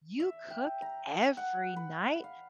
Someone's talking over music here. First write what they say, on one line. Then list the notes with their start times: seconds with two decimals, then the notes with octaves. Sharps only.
"You cook every night?"
0.20 E5
0.50 G5
0.82 A#5
1.37 F#5
1.76 B4
2.24 F5